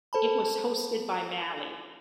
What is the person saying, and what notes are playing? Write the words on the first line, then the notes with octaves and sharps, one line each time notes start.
It was hosted by Mali.
A4 C5 A5 B5